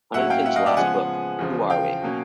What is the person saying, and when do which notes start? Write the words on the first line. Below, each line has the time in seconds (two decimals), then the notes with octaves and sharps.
Huntington's last book, Who Are We?
0.14 A2 F#3 A#3 C#4 E5 F#5
0.30 F5 G5
0.46 E5 F#5
0.56 D#5 F5
0.66 D5 E5
0.77 C#3 F3 G#3 B3 F#5 G#5
1.39 E2 C#3 F3
1.70 F5 G5
2.02 B2 F#3 A#3 C#4